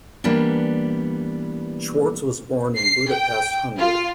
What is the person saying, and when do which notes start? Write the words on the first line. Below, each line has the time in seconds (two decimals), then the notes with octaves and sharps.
Schwartz was born in Budapest, Hungary.
0.24 E3 G3 A#3 B3 D4
2.77 C7
3.11 G5
3.78 F4